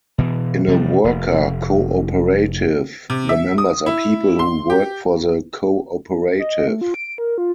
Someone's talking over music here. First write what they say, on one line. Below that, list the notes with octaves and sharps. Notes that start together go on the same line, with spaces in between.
In a worker cooperative, the members are people who work for the cooperative.
B2 E3
C3 F3 G3
F1
C3
E5
D#6
E4
C6
G4
D#5
A3
F4
D7
A#4
F4